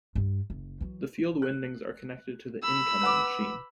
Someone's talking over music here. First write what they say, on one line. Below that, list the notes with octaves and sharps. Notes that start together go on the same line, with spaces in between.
The field windings are connected to the "incoming" machine.
G2 G3
F#1
E3 F#3
F#6
B5 E6
B4 F#5 D6